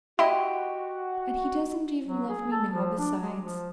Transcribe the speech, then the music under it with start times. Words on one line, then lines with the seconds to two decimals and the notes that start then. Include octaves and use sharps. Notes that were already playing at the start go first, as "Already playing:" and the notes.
"And he doesn't even love me now, besides."
0.19 E4 F#4 G4 D#5 C6
2.06 F#3
2.29 G#4
2.51 A4
2.72 F3
2.99 D4
3.22 G#3
3.39 F3